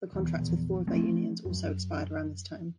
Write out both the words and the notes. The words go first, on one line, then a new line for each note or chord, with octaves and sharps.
The contracts with four of their unions also expired around this time.
E1 E2
A#1 E2
F3 A3 C4 C#4
F#2